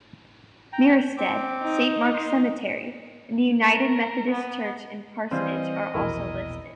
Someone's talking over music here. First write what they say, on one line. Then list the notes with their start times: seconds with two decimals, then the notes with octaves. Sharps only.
Merestead, Saint Mark's Cemetery, and the United Methodist Church and Parsonage are also listed.
0.73 G5 A#5
1.17 C4 D6
1.62 D#4
2.14 C6
3.62 A#4
4.32 B3
5.31 E3 G3 C4 C5 D#5 F5
5.94 A#1 E2 B2 E4 A#4